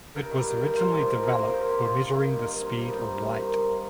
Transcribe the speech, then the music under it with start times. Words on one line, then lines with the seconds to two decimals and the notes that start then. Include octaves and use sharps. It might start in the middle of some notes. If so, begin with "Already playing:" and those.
It was originally developed for measuring the speed of light.
0.16 G2 A#4
0.31 D#3 G3
0.47 G2
0.61 D#3 G3
0.77 A#2 C5
0.92 F3 A#3 D#5
1.08 A#2 A#4
1.23 F3 A#3 A#4
1.39 C3 A#4
1.54 D#3 A#3 C5
1.69 C3 G4
1.84 D#3 A#3 F4
2.00 G2 F4
2.15 D#3 A#3
2.31 G2
2.45 D#3 A#3
2.61 C3 F4
2.76 D#3 G3 A#3
2.91 C3 D#4
3.06 D#3 G3 A#3
3.22 C3
3.37 D#3 A#3
3.53 C3
3.67 D#3 A#3